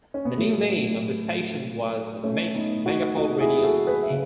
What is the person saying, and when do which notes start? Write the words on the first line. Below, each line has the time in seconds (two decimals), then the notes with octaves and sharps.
The new name of the station was Mix Megapol Radio City.
0.14 C#4
0.25 B3
0.37 A2 F#3 A3
2.23 A3 C#4
2.55 B3 D#4
2.86 D#4 F#4
3.17 D#4 F#4
3.40 E4 G#4
3.58 G#4
3.64 F#4 A4
3.87 G#4 B4
4.03 E5
4.10 C#3